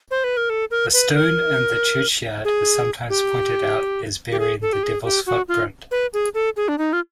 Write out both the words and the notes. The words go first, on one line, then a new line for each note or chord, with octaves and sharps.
A stone in the churchyard is sometimes pointed out as bearing the Devil's footprint.
C5
B4
A#4
A4
A#4
B4
A#4
G#4
G4
G4
G#4
A4
G4
G#4
G4
F#4
F4
B4
G#4
A4
G#4
D4
D#4
F4